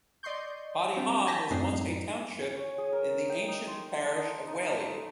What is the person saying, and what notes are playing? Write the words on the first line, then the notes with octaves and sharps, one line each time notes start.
Padiham was once a township in the ancient parish of Whalley.
D5 D#5 C6 C#6 G6
G3 C4 D4 G4
G#5 A5 G6 A#6 B6
F#2 A2 C4 D4 D#4 C7
G#5
C#5
G#4
A#4
G5
D#4
C6
A5
D#5
D#4
A5
A3